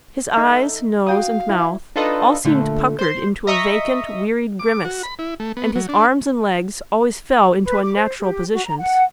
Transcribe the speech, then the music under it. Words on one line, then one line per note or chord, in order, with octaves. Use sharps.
His eyes, nose, and mouth all seemed puckered into a vacant, wearied grimace, and his arms and legs always fell into unnatural positions.
D#4 A4 E5 F5
F#4 F5 G5 D#6
E4
D4 D#4 F4 A4 B4 D#5
A#2 D3 A3
C5 C6
D#5 E5 A#5 C#6 D#6 B6
D6
F#4
B5
E4
A3
B3
F#3
D4
B4
D6
C5
G4
F#4
A#5
F#5